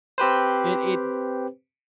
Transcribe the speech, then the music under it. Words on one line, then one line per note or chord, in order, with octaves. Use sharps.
It it,
C4 G4 B4 C5